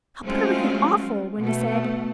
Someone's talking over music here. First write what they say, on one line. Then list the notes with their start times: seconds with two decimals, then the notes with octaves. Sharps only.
"How perfectly awful," Wendy said.
0.24 F#3 G#3 A3 C4 C#4 F4
1.38 B2 A3